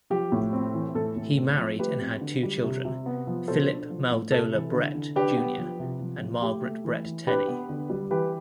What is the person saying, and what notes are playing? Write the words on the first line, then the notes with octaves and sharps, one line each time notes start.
He married and had two children: Philip Milledoler Brett, Junior and Margaret Brett Tenney.
F3 G4
A2
C4
E3
A2 A4
A2
C4
F3
A3 G4 B4
C4
D3
G3
C3
C3
B3
F3
B2 A4 C5
D4
F3
A2
C3 A4
E3
D3
D3
D4 G4 B4
B3
F3
C3
F3
F3
A3 G4
A3
E3
E3
D4 G4 B4
B3
D3
G3
E3 G4 B4